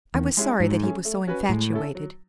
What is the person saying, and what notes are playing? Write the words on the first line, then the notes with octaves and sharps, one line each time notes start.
I was sorry that he was so infatuated.
E2 D#3
G#3 C#4 E4 G#4
G#2 F#3
A3 C#4 G#4
A3
C#4 F#4 B4
A2 G#3
C#4 E4 A4
F#3